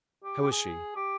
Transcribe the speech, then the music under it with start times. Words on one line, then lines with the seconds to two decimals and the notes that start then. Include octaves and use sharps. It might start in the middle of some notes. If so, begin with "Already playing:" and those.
How is she?
0.24 G4
0.41 G4
0.52 G#4
0.96 G4